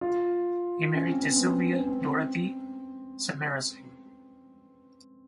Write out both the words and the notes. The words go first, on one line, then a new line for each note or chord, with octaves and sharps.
He married to Sylvia Dorothy Samarasinghe.
F4
C#4
C4
B3
C4
C#4
C4